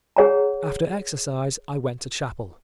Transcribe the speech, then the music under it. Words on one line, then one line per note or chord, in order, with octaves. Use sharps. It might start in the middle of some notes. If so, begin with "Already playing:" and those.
After exercise I went to chapel.
G#4 C#5 F#5 A#5